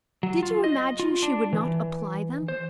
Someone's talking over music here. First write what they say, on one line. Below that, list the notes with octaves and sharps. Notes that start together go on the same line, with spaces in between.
Did you imagine she would not apply them?
F#3
F4
D#5
F4
D4
E3
C5